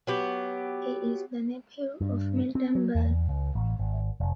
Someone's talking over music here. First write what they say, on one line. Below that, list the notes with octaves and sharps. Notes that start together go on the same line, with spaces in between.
He is the nephew of Milton Berle.
F#3 B3 G4
G2
C4
F#3
E2
C#2
A1
G#1
F1